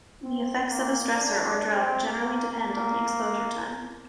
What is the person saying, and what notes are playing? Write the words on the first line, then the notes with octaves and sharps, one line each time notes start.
The effects of a stressor or drug generally depend on the exposure time.
C4
A#3
D4
D4
C4
A#3
A#3